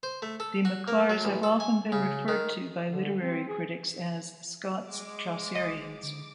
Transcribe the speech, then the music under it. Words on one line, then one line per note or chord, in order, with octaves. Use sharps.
The Makars have often been referred to by literary critics as "Scots Chaucerians".
C5
A3
A4
F#4
A#3
F#3
A1
A4
G#5
C#3
D#3
D3
C4
G#4
G#3 D6
E1 D#5
D3 D6